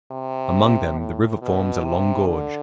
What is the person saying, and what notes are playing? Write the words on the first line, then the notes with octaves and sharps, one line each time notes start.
Among them, the river forms a long gorge.
C3
A2
B2
C3
D3